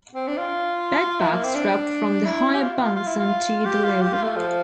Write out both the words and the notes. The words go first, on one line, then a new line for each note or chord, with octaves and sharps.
Bedbugs drop from the higher bunks onto the lower.
C4
D4
F4
E4
A#3
C4
D4
E4
G4
F4
F4
F4
E4
F4
G4
F4
G4
F4
A3
F3